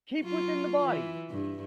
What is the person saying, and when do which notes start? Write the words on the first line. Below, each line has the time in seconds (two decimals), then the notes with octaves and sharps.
Keep within the body!
0.21 F#3 F4
0.85 E3
1.30 G2